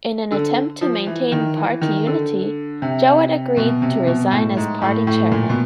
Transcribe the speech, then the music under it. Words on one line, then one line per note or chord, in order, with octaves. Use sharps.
In an attempt to maintain party unity, Jowett agreed to resign as party Chairman.
D3
F3
E3
D#3
E3
D#3
D3
C3
B2
C3
B2
A2
G#2
A2
A2
A#2
B2